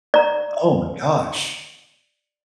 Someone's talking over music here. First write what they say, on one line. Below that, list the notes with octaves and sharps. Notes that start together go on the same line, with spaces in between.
Oh my gosh.
D5 A#5